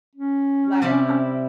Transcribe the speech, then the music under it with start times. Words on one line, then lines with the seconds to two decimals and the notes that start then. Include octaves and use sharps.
Like, I
0.15 C#4
0.82 C3 G3 E4